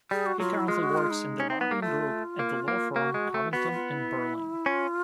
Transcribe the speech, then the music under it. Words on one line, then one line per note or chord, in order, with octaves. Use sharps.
He currently works in the lobbying group at the law firm Covington and Burling.
G3 G#4
F#4
F#3 F4
E4
G#3 F4
F#4
F4
D#4
C#4
C4
B3
A#3
A3 F4
A#3
A#3
A#3 F#4
G#3
A3
B3 F#4
F4
E4
C#4 F4